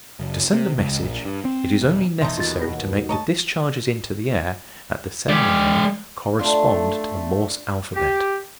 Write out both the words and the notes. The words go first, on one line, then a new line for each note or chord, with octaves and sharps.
To send a message it is only necessary to make the discharges into the air, at the sending-end, correspond to the Morse alphabet.
F#1
C3
C#2
A#1
G2
C4
E1
E1 E2 F3 A3 D#4 D#5 E5 C6
D#2 B2 F4 A6
A#6
A3 C#5 D#5 A5 A#5
G#3 D5
A3 D4 F4
G4